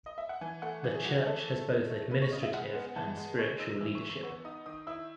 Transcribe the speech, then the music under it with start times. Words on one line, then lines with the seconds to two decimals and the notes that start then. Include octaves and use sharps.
The church has both administrative and spiritual leadership.
0.06 D#5
0.18 E5
0.29 F#5
0.41 E3 G#5
0.62 A3 F#5
0.84 E3 G#4
0.95 G#4
1.05 E3 F#4
1.16 G#4
1.26 A3 A4
1.47 A3
1.68 D#4
1.90 A3
2.11 C#3 B4
2.22 C#5
2.32 C#3 D#5
2.43 E5
2.53 G#3 F#5
2.75 B3
2.96 E3 A5
3.17 G#3
3.39 G#3 C#6
3.60 D#4 E6
3.81 E3 E6
3.95 C#6
4.02 E3
4.10 C#6
4.23 B3 C#6
4.45 D#4 D#6
4.66 D#3 D#6
4.87 E4 E6